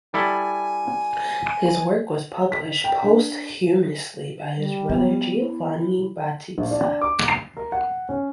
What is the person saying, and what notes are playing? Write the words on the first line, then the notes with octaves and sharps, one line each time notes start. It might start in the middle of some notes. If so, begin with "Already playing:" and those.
His work was published posthumously by his brother Giovanni Battista.
G3 E4 A4 G#5
B6
G5
D4
G3
B3
E4
A#1
D4
D6
C7
A#4
F#5
C#4